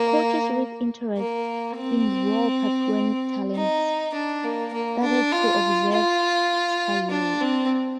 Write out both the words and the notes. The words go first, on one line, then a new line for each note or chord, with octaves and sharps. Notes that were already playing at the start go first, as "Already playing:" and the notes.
Coaches with interests in raw Papuan talents started to observe Sayuri.
Already playing: A#3
A#3
C4
D#4
D4
A#3
A#3
D4
F4
F4
D4
C4